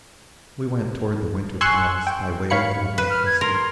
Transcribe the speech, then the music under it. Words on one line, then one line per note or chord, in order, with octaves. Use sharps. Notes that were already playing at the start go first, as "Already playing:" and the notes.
We went toward the Winter Palace by way of the Admiralteisky.
G#5 C6 C#6 E6 F#6
G5
G#2 C#5 F5 B5 C#7
B4
F6
G#6
A#4 C6